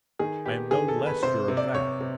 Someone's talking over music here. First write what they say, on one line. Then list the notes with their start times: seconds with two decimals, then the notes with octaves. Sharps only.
I am no less sure of that.
0.19 D#3 G#4
0.45 B3 G4
0.71 D#3 G#4
0.88 A4
0.97 B3
1.06 B4
1.23 C3 C5
1.48 C3
1.57 D5
1.74 C3 C#5
2.00 C3